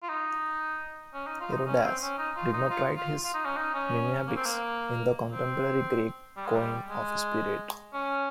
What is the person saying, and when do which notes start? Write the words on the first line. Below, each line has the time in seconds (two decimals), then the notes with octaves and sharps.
Herodas did not write his mimiambics in the contemporary Greek "koine" of his period.
0.03 F4
0.09 D#4
1.14 C#4
1.27 D#4
1.40 F4
1.53 D#4
1.66 C#4
1.84 C4
2.02 C#4
2.18 D#4
2.36 F4
2.53 D#4
2.70 F4
2.96 F4
3.24 F4
3.34 D#4
3.46 C#4
3.57 D#4
3.75 C#4
4.28 A#3
4.36 C4
4.46 A#3
5.32 C4
6.37 G3
6.46 G#3
6.55 G3
6.90 G#3
7.94 C#4